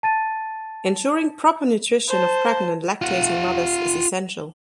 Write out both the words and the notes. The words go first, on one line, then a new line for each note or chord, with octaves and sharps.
Ensuring proper nutrition of pregnant and lactating mothers is essential.
A5 A6 D#7
C5 A5
F4 F#5